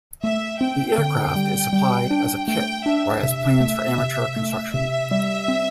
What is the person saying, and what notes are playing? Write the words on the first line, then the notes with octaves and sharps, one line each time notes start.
The aircraft is supplied as a kit or as plans for amateur construction.
A3 E5
C4 G5
D3
G3
G3
D4
A3 G5
D4 E5
C3
A3
C3
A3
C3 E5
G3
C4